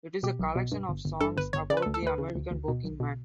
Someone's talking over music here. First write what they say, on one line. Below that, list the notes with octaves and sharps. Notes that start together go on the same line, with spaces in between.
It is a collection of songs about the American working man.
B2 G4
B1
B2
G2
G1
G1
G2 A4
G1 B4
G1 C#5
C#3 D5
B4
A4
D2
A4
D2 B4
C#3
D2
D2
B2
B1
B2